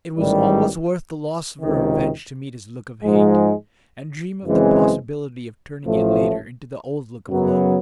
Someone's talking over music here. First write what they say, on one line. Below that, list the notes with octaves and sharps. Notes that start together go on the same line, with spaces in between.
It was almost worth the loss of her revenge to meet his look of hate, and dream of the possibility of turning it later into the old look of love.
A1 G#2 D#3 G3
C#2 C3 D#3
G#2 F3 G#3
F#2 C#3 E3 G#3 C4
A1 A2 F3 A3
F#2 C#3 F#3 B3